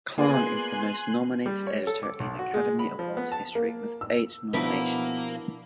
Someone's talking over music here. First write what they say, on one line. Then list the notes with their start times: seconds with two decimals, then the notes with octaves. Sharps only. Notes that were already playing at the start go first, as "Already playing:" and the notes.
Kahn is the most-nominated editor in Academy Awards history with eight nominations.
0.18 A#3 B3 F4 G#4 D5 G#5 C6 F#6
1.46 G3
1.67 C#5
1.87 A4
2.03 D6
2.20 B1
2.39 F#4
2.54 G#3
2.79 B5
2.99 F3
3.17 B3
3.32 A5
3.55 A#3
4.01 E6
4.54 B2 F3 B3 D4 E4 A#4 B4 F5